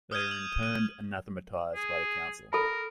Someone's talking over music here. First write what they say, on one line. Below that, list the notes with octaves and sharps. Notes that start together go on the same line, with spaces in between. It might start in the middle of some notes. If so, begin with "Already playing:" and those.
They in turn were anathematized by the Council.
D#6 F6 G6 G#6 D#7
F#7
D#7
G#4
A4 A#4 B5